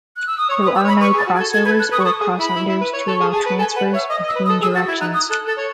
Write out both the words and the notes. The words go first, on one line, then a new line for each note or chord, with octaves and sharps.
There are no crossovers or crossunders to allow transfers between directions.
F#6
E6
D#6
C#5 C#6
D#6
B4
E6
C#5
B5
B4 C#6
G#4
A6
F#4
G#6
A4
A4 G#6
B4 G#6
A4 F#6
B4 D#6
C#6
A4 D#6
G#4
E4 B5
E4
E4
B4
C#5
A4 C#6
G#4
G#4 A5
B4
A4 G#5
B4 F#5
C#5 E5
D#5 D#6
D#5
E6
B4
D#6
A4
G#4 E6
F#4 A6
E4 G#6
D#4 F#6
D#6
A4 F#6
A4 A6
C#5